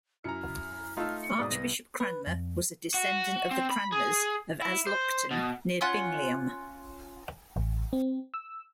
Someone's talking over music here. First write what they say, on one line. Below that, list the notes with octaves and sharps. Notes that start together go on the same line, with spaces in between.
Archbishop Cranmer was a descendant of the Cranmers of Aslockton near Bingliam.
F#2 E4 A#5 F6 C#7
A3 D#4 F4 A5 E6 F6
C#7
G#2 B2 D5 D#6
C2 B3 A#6 D#7
B4
F2
F#4
C4
B5
G#4
E4
C5
B2
C#4 F4 F#5
A1
C4
E6